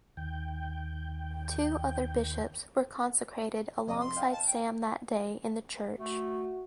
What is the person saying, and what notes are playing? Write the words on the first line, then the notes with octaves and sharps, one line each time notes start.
Two other Bishops were consecrated alongside Sam that day in the church.
D#2 G5
F1 D5 D#5
C6
D#5 F5 G5
A5
G5
A3 F#4